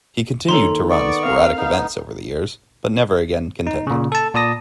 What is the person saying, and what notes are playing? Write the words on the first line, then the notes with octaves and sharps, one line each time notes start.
He continued to run sporadic events over the years but never again contended.
D#3 A#3 A4 C#5 A#5 C6
B3 D5 C#6
C4 A#4 F5
B3 D#4
D#4
A#2 C#3
A4 A5
A#2 D5 A5 D#6 A#6